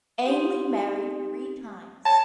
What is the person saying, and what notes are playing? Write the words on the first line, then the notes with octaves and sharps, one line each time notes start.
Ainley married three times.
C4 D#4 G4
C#5 A5